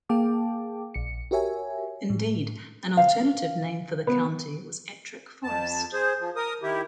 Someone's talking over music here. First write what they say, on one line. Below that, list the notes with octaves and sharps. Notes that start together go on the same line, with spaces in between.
Indeed, an alternative name for the county was Ettrick Forest.
A#3 G#4 F5 G5 A5 D6
A#1 C#7
F#4 G4 A#4 C#5 E5 G#5
A2
F5
B3
F2 A5
G#4 C5
F3
A#4 D#6
D#3 E4 G4